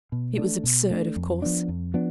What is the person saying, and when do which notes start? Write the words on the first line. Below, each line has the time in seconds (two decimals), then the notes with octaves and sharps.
It was absurd, of course.
0.12 B2
0.38 A3 D4
0.64 B2
0.90 A3 D4
1.16 F2
1.42 F3 B3 D4
1.68 F2
1.94 F3 B3 D4